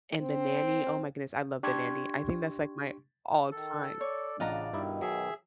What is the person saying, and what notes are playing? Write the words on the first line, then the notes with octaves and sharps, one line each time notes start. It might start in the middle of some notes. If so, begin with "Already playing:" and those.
and The Nanny, oh my goodness, I love The Nanny. I think that's like my all time. Y
C4
D4 G4 C6 C#6 G#6
D#3 A4
C#5 D5
A1 C#3 D4 F4 D5 D#5 F#5 A#5
G2 B2 D#3 D#4 E4
F#3 G#4 E5